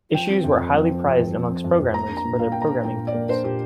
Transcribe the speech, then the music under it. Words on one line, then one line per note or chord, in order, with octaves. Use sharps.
Issues were highly prized amongst programmers for their programming tips.
F3 G5
C4
F2
F2
F3
C4
F2
F2
F3
C4
F2
F2
A#3 A#5
D4
A#5
A#2
A#2 F5
A#3 G5
A#5
D4
A#2 G5
A#2
D5
A#3
D4 C5
A#2 G4